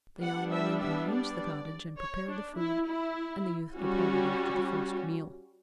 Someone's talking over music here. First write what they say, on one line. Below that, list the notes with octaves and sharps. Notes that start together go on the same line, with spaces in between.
The young woman arranged the cottage and prepared the food, and the youth departed after the first meal.
G3 B3 D4 F#5
E5
E5
D5
C#5
D4
E4
E4
G3 C#4 F#4